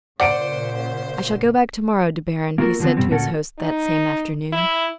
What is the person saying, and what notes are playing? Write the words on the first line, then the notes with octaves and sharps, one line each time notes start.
"I shall go back to-morrow, De Baron," he said to his host that same afternoon.
A#2 C#3 C5 D5 F#5 C#7 D7
A#3 F4 F#4 A4 A#4
D3 F3 G#3 B3 C4
C2 F#2 B2 G3 C4
D2 A#2 C#4 F#4 A4
D#4
E4